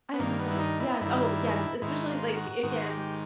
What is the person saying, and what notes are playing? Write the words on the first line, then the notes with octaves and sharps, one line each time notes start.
I love that, yeah, oh yes, especially, like, again
B3
G2 D#3 A#3
B3
E4
D#4
E4
D#4
G2 D#3 E4
G#2 D#3 E4
F4
F#4
G#2 D#3 F#4
G4